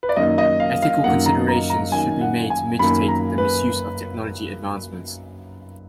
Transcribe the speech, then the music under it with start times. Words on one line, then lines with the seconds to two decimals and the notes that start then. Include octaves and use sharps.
Ethical considerations should be made to mitigate the misuse of technology advancements.
0.03 B4
0.09 D5
0.16 F#2 D#3 A#3 D#5
0.38 D#5
0.60 F5
0.82 F5
1.04 F#2 D#3 A#3 F#5
1.26 A#5
1.48 A#5
1.70 A#5
1.91 F#2 D#3 A#3 G#5
2.21 F#5
2.50 G#5
2.79 F#2 D#3 A#3 B5
3.08 A#5
3.38 B4